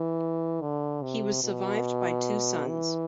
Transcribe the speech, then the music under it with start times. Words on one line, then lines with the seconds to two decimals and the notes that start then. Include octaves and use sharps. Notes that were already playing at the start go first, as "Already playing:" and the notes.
He was survived by two sons.
Already playing: E3
0.61 D3
1.02 C3
1.44 B2
2.68 E3